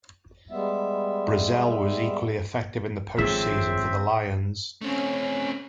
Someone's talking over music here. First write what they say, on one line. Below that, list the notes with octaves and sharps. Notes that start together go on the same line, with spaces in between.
Brazzell was equally effective in the post-season for the Lions.
G3 G#3 B3 E5
G#1 G#2 F3 C4 G#4 A4 C#5 E5
A3 C4 C#4